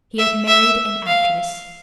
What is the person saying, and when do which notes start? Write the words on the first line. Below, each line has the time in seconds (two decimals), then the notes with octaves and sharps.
He had married an actress!
0.19 E5
0.48 E5
1.07 F5